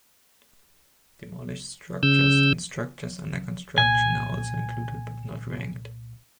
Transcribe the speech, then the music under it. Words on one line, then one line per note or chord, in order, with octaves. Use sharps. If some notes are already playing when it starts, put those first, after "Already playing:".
Demolished structures and structures under construction are also included but not ranked.
C#3 E6 G6
C2 A#2 G#5